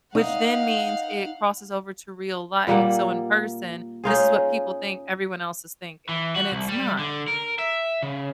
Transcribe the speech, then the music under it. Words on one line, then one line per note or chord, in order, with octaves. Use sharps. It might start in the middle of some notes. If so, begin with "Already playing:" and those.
which then means it crosses over to real life. So in person, this is what people think everyone else is thinking, and it's not,
D#4 F5 F#5
A#2 G3 A#3 F#5
C#4 D#4 F4 G#4
E3
F#4
C2
G3
D3
A#4
E5
C#3